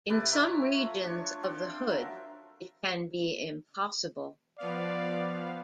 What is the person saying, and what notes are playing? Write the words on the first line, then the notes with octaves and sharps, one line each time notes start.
In some regions of the hood it can be impossible.
C3 E4 B4 D5
F4 C#5 E5 A#5
F3 A3
D4 C#5
C4 D4 C5 G5
F3 F#3 A#4 E5
F3 B3 D5 F5